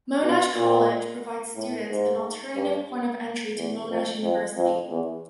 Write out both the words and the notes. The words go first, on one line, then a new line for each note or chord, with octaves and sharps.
Monash College provides students with an alternative point of entry to Monash University.
B2
A#2
A2
G#2
G2
E2
F2
F2
F2
E2